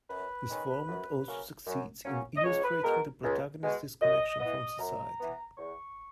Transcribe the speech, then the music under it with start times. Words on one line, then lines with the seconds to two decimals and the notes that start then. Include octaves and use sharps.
This format also succeeds in illustrating the protagonist's disconnection from society.
0.09 F#2 B4
0.49 D#3 G#3 C#4
0.88 F#2
1.27 C#3 F#3 A#3 C#4
1.67 F#2
2.05 C#3 F#3 A#3 C#4
2.36 D#5
2.44 C#2 C#5
2.64 B4
2.83 B2 G#3 A#4
3.23 C#2
3.62 B2 G#3
4.01 F#2 D#5
4.40 E3 B3 D#5
4.79 F#2 A#5
5.19 E3 B3
5.57 E2 C#6